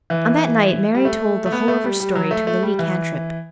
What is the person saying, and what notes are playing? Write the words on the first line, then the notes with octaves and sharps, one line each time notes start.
On that night Mary told the whole of her story to Lady Cantrip.
E3
G3
A3
A3
B3
A3
G3
G3
F#3
A3
A3
G3
E3